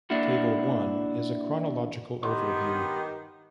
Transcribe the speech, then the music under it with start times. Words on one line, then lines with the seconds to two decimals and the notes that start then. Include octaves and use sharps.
Table I is a chronological overview.
0.10 A#3 D4 E4 F#4
2.23 D#3 B3 G4 C#5 F#5 C6